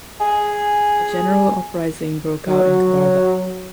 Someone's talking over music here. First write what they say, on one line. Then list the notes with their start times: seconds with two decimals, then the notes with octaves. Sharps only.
A general uprising broke out in Kabarda.
0.20 G#4
2.47 F#3